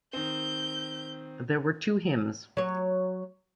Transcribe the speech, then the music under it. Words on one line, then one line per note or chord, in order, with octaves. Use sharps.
There were two hymns.
D#3 C4 G6
F#3 C#5